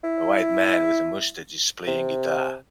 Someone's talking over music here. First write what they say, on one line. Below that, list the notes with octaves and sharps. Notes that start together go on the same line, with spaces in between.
A white man with a mustache is playing guitar.
E4
C3